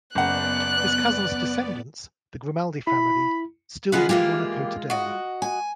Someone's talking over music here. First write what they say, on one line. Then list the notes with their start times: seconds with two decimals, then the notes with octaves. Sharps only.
His cousin's descendants, the Grimaldi family, still rule Monaco today.
0.15 F#1 B3 D5 F#5 F#6
2.87 E4 B5
3.92 C#3 G#3 B3 F4 G#4 B4
4.09 E3 G#3 A#3 F4 G4
4.90 F#4 D#5
5.42 G#5